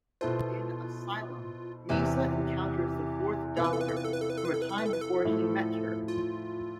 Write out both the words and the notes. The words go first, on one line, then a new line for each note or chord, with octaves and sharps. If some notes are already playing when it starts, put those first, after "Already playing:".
In "Asylum", Nyssa encounters the Fourth Doctor from a time before he met her.
B2 B3 E4 F4 A4 C5
E2 C3 E3 G4
C3 E3 B3 F4 A4
B4
A4
B4
A4
B4
A4
B4
A4
B4
A4
B4
A4
B4
A4
B4
A4
B4
A4
A2 F3 A3 E4
F4